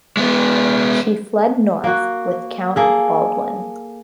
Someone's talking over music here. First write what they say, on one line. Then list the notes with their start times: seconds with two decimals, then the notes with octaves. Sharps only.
She fled north with Count Baldwin.
0.17 G#3 B3
1.84 A#3 F#4
2.76 A#3 G#4 A4